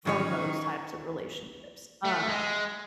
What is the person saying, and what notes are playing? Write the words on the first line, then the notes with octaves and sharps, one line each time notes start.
from those types of relationships. Um,
G#2 D3 D#3 F3 F#3 C#4 C#5 C#6
A3
G#3